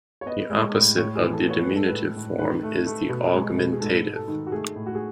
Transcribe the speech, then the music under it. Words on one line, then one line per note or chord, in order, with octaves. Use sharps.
The opposite of the diminutive form is the augmentative.
C#5
B3 D#5
G#3
A2
A2 C#5
E3 G#4
A4
B3
C#5
B4
G#3
A4
A2 B4
A2
D#3 B4
A3
A3
B2
G#3
B2
G#4
G#2 A4
G#2
A4
D#3
F#4
A3 G#4
A2
F#4
G#4